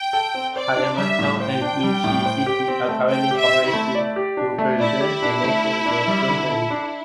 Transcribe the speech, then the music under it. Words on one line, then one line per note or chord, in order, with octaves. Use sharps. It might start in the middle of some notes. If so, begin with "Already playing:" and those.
Hayama Town and Zushi City are currently cooperating to preserve and maintain the tumuli.
Already playing: G5
A4
C4
C5 D5
D4
G3 E5
A2
C5 G5
D4
G3
A2
C5
G4
C4
A3
C5 G5
G4
E5
C4
E4
A3
D5
G4
D4
A3
E4 D5
G4
D4
A3
A4
D4
G3
D3
A4
D4